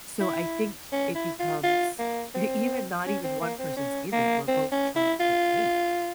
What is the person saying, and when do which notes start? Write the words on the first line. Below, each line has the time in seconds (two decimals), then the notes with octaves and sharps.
so I think it becomes e even not even one person's giving, we're both trying to take,
0.21 E4
0.92 C#4
1.15 E4
1.40 F4
1.64 F4
1.99 A#3
2.35 C4
3.07 C#4
3.24 C4
3.41 A#3
3.59 C4
3.77 C#4
4.13 A#3
4.48 C4
4.72 C#4
4.96 E4
5.20 F4